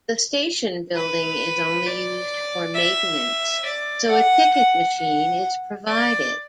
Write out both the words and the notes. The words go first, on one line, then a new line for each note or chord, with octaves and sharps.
The station building is only used for maintenance so a ticket machine is provided.
B4
D5
E5
D5
F#5
F#5
F#5
D5